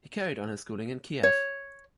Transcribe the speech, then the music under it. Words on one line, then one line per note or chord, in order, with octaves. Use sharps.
He carried on his schooling in Kiev.
C#5